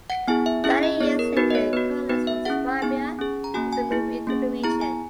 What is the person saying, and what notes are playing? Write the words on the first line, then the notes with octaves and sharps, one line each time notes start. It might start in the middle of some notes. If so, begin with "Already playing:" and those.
Thirty years later colonists from Swabia also moved into the region.
F#5
B3 E4 G#4 G#5
E5
C#4 E4 G#4 E5
D#5
B3 E4 G#4 C#5
A#4
B3 D#4 F#4 B4
D#5
C#5
B3 F#4 B4
B3 D#4 F#4 B4
E5
C#4 E4 G#4 F#5
B3 D#4 G#4 G#5
C#4 G#4
A#5
A#3 C#4 F#4 G#5
G#5
A#3 E4 G#4
A#3 C#4 G#4
B3 E4 G#4 A#5
G#5